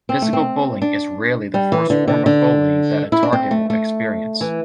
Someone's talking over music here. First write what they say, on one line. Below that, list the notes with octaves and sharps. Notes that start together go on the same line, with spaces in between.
Physical bullying is rarely the first form of bullying that a target will experience.
C4
A3
C4
D4
G3
E3
D3
D3
D3
E4
D4
C4
A3
A3
E3